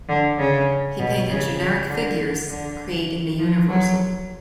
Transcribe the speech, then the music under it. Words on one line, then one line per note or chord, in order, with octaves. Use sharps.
He painted generic figures, creating the universal.
D3
C#3
B2
C#3
C#3
D3
D3
F3
F#3